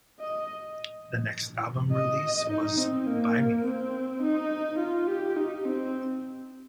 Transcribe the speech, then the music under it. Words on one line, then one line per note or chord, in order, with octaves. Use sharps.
The next album release was Buy Me...
D#5
D#5
D#4
C4
A#3
C4
D#4
F4
G4
D#4
C4